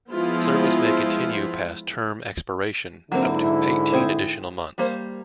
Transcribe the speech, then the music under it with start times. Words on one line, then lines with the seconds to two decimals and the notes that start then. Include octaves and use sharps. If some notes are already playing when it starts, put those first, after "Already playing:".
Service may continue past term expiration up to eighteen additional months.
0.11 F3 G#3 B3 E4 F4
3.12 G#2 D3 F#3 A#3 C4 E4
3.92 C4 G#4 C5
4.78 G3 A#3 C5